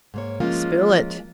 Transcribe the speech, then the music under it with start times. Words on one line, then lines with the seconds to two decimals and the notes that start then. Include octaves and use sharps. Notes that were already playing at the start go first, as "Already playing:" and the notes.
"Spill it."
0.14 G#2 A#3 C#5
0.40 F3 G#3 A#3 C#4 F4